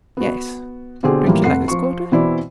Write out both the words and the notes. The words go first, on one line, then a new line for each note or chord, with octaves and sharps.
"Yes; don't you like this quarter?"
B3 F#4
B2 D3 C4 G4 G#4
A2 E3 F3 G3 A#3
F1 F#5 C7
F3 C#6
B2 E3 C4 E4 D5